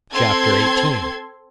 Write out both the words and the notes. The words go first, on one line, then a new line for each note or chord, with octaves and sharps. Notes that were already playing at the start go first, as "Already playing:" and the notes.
Chapter XVIII.
C4 A4 C6 G#6